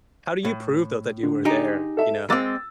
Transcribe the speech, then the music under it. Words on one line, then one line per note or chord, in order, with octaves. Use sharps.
how do you prove, though, that you were there, you know?
A2
D3
D#4 G4 G#4
A4 E5
G#3 C4 D6 E6 A6